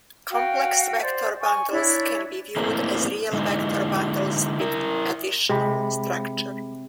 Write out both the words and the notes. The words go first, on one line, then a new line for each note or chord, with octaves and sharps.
Complex vector bundles can be viewed as real vector bundles with additional structure.
F#4 F5 G5
C5 D5
G#5 C#6
D4 E4 C#5
A3 A#3 C4 D4 E4 A#4
D3 G#3 D#4 E4
E4 A#4
C3 G#3 B5